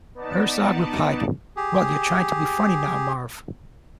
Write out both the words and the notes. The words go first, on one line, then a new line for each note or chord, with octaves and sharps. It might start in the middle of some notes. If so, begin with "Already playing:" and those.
Herzog replied, Well, you're trying to be funny now, Marv.
B3 D#4 D5 A5
G4 G#4